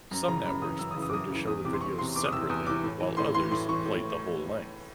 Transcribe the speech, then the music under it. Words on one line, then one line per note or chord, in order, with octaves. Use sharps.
Some networks preferred to show the videos separately while others played the whole length.
F#2 A#5
C#3 E3 A#5
F#2 B5
C#3 E3 D#6
F#2 E6
D#6
C#3 E3
D#6
D6
F#2 D#6
C#3 E3
E2 D#6
C3 E3 D6
C6
E2 C#6
C3 E3 C6
E2 D6
D#6
C3 E3 E6
E2 D#6
C3 E3 D6
A2
E3
A2 C6
E3 C6
A2 C6
E3 C#6
A2